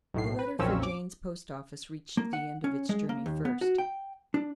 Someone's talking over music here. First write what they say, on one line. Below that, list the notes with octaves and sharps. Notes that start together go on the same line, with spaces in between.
The letter for Jaynes's Post-office reached the end of its journey first.
B1 A2 C7
B4
B1 F2 A#2 C4 C#4 E6
D6
A#3
F#5
C#4
G#3
A#3
D#2
B3
F#4
G5
D4